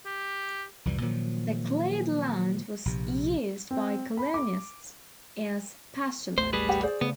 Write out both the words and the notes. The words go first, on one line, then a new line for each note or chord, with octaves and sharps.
The cleared land was used by colonists as pastureland.
G4
C2 F2 E3 G3
A#2 D#3 F3 F#3
A#1 C3
C4
B5
D6
A1 D#2 A3 C5
G3 G#4 B4
G4 F#5
G#4 C5 D5
C#3 A3 B3